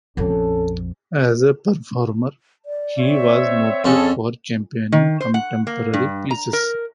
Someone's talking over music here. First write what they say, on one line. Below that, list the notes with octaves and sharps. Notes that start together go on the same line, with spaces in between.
As a performer, he was noted for championing contemporary pieces.
A#1 F2 C#4 A4
D5
C4 C#5 E5
F2 C#4 G#4 A4
D#3
C5
F#5
A#3
G2
A#5
A#4